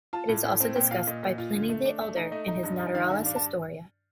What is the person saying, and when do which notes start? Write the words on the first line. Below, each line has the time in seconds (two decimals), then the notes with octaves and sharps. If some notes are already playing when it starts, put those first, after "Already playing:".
It is also discussed by Pliny the Elder in his Naturalis Historia.
0.13 F4 A5
0.29 A2
0.44 A2
0.60 C4
0.76 A#2 G5
0.91 F4 F5
1.07 A#2 D#5
1.23 A#2
1.38 F4
1.55 D3
1.69 A3
1.85 D4
2.01 A3
2.17 D#4
2.32 A3 D#5
2.48 D#4
2.63 G2
2.79 D#4
2.95 D#3 F5
3.10 G2
3.26 D4 F5
3.36 A5